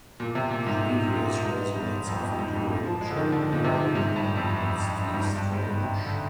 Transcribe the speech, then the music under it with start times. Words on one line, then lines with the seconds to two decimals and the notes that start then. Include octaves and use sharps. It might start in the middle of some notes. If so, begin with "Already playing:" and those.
Previous residents have included John Barrowman and Steve Strange.
0.20 A#2
0.35 C3
0.51 A#2
0.66 G#2
1.14 A#2
1.45 G#2
1.76 G2
2.07 F2
2.24 F2
2.39 G#2
2.55 A#2
2.69 A#2
2.86 F3
3.01 G#3
3.10 D3
3.17 D#3
3.32 D3
3.53 A#2
3.64 C3
3.95 G#2
4.16 G2
4.37 F2
5.13 G#2
5.20 G2
5.35 G2
5.52 G#2
5.67 G#2
5.83 C3
6.06 D3